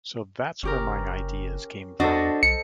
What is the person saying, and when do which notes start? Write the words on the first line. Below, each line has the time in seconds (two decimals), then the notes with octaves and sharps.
So that's where my ideas came from.
0.63 F#1 C#4 G4 A#4
2.00 E2 D4 F#4 A4 C5 D#5
2.43 B1 C#7